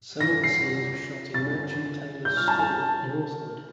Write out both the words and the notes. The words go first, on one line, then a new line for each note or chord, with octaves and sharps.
Some of the scenes were shot in Merchant Taylors School, Northwood.
A#6
C7
A6
G6
F6
A5
A5